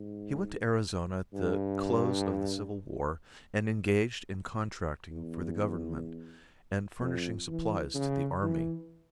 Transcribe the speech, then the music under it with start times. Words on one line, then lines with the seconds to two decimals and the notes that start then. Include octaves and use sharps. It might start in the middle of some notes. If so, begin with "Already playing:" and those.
He went to Arizona at the close of the Civil War and engaged in contracting for the Government and furnishing supplies to the army.
Already playing: G#2
1.33 G2
5.11 E2
7.00 F2
7.47 E3
7.94 C#3
8.42 E3